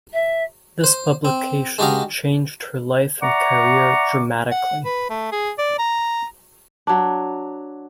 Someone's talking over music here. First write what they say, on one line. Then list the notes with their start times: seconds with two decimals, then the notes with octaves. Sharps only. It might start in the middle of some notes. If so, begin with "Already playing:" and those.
This publication changed her life and career dramatically.
0.13 E5
0.84 C5
1.25 C4
1.79 G#3 D4 F#4 G4 D#5 F5
3.22 D5 E5 F#5 A#5 C#6 D6
4.51 F#5
4.85 B4
5.10 A3
5.32 G#4
5.58 D5
5.79 A#5
6.87 F#3 D4